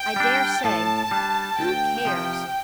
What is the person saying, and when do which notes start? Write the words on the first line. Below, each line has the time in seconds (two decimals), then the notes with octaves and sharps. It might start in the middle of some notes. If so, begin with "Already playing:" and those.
I dare say. Who cares?
Already playing: G5
0.16 G3 D4
0.64 A2 A5
1.11 G3 D4
1.58 D2 G5
2.05 C3 F3